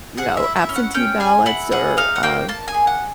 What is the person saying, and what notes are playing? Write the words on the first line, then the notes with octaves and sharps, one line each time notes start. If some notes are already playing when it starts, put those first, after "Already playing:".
you know, absentee ballots or, uh,
G#4 F#5
E5
E4
E5
C#4
F#5
C#4 G5
G#4 G#5
E4 F#5
G#4 F#5
D#4 F5
F#5
A#3 G5
A#3 A5
G#5
G#4
F#5